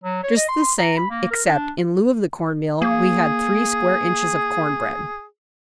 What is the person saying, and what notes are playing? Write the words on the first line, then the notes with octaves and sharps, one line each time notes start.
"Just the same, except, in lieu of the corn-meal, we had three square inches of corn bread."
F#3
C#5
D#5
C6
C6
A#5
B5
A#3
A#4
D4
A#3 G#4